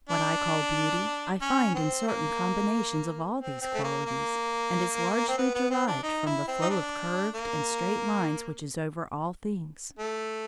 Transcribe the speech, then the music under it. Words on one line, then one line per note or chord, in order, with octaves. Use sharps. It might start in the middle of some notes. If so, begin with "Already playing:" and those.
What I call beauty I find in certain combinations of all these qualities, and is largely derived from the flow of curved and straight lines which is over all things.
D4
C#4
C4
A#3
C4
C4
A3
A#3
A#3
C4
B3
B3
C4
D4
D#4
E4
C4
D#4
D4
A#3
A3